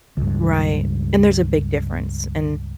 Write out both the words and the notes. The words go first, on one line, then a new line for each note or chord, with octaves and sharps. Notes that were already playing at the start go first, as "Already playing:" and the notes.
Right, and there's a big difference, and
C#2 G2